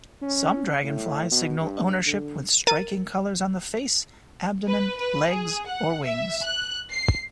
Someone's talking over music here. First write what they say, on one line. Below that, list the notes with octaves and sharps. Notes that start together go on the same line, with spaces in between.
Some dragonflies signal ownership with striking colours on the face, abdomen, legs, or wings.
C#4
A2
B2
G2
D3
A#4 A6 D#7
B4
B4
G#4
F#5
E5
F#6
C7